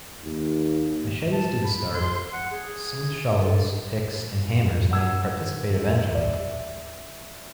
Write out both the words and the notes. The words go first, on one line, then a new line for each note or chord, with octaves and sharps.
Machetes do the start, some shovels, picks and hammers may participate eventually.
D#2
A5
B5
C6
F#5
G#4
A4
F#5 E6 G#6
D5 E5